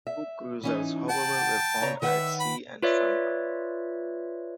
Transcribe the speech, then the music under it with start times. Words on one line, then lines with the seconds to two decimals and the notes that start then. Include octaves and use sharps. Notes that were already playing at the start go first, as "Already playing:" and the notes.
Two cruisers, however, were found at sea and sunk.
0.07 E5
0.63 E3 C#4 D#4
1.10 F#5 G5 A5
1.82 C#3 C#5 A#5
2.02 D#3 B4 E5 F#5
2.40 B5
2.83 F4 B4 C#5 D5 E5